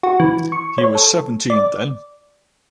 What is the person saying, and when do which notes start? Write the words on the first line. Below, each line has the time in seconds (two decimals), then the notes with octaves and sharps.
He was seventeen then.
0.03 F#4
0.20 E3
0.52 C#6
0.78 C#5
0.95 A4
1.50 D5